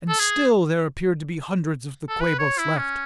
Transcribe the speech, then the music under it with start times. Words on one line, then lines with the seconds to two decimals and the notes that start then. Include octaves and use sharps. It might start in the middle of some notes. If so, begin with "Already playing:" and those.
And still there appeared to be hundreds of the Quabos left.
0.09 A4
0.20 G#4
2.09 A4
2.20 B4
2.39 C#5
2.58 E4
2.77 C#4